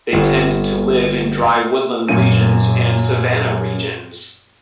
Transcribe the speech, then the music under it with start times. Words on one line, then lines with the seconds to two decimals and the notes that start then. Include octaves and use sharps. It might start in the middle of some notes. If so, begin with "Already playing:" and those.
They tend to live in dry woodland regions and savannah regions.
0.13 G1
2.08 F#2 A#2 D#7